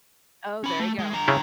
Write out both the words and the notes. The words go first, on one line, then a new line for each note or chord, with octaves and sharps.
Oh, there you go.
C#4 B5
A3
G#3
D3 A#5
C#3 E4 F4